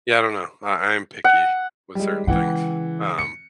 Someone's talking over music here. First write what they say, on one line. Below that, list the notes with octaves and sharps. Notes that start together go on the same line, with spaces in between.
yeah, I don't know. I I am picky with certain things. Um
F#5
G3 G#3
C#3 E3 G#3 F#5 G5
C#7